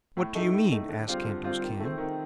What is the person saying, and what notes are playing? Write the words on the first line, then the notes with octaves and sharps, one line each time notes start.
"What do you mean?" asked Kantos Kan.
A2
A3 D#4
A2
A3 D#4
D3
G3 C4 F4
D3
G3 C4 F4
D#3
A3 C4
D#3